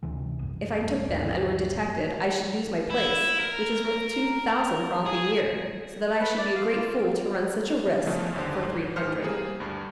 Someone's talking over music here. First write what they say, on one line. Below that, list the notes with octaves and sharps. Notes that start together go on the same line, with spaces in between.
"If I took them, and were detected, I should lose my place, which is worth two thousand francs a year; so that I should be a great fool to run such a risk for three hundred."
D2 C3 E3
C2 F#2
F1 G3 A3 A#3
D2 G2 A#2
E4
A#4
G#4
B4
D5
F5
F4
F4
C#3 E3 F3 A3 B3 C#4
G1 D#2 D3 C5
G#2
A1 C5 F6 C#7
G3 A#3 G#4
D2 G2